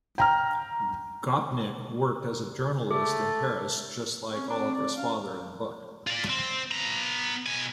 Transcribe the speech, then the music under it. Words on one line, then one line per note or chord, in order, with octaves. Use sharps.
Gopnik worked as a journalist in Paris just like Oliver's father in the book.
G5 A#5 F6
A3 G#4
C4 C#4
C4 D4
D5
C#4 F5
F4 D5
C4
B3 A#5
B2 G#5